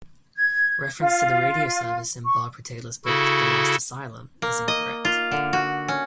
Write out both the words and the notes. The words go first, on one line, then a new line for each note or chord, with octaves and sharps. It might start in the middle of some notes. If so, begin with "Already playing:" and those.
Reference to the radio service in Barbara Taylor's book The Last Asylum is incorrect.
G#6
F4
C#6
C#3 E4 F#4 A4
A#3
D#5
F4
D3
F#4
C#4